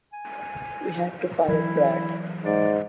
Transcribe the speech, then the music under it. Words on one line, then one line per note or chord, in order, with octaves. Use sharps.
We had to fire Brad.
G#5
E3 F#3 E4
G#2 D5